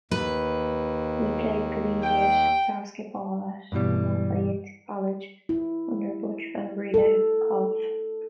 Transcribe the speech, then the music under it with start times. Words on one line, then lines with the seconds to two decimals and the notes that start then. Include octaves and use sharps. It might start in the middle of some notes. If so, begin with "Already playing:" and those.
He played collegiate basketball at Lafayette College under Butch Van Breda Kolff.
0.11 D#2 B4
2.03 G5
3.72 G2 B2 E3 G3
5.49 E4
6.94 A4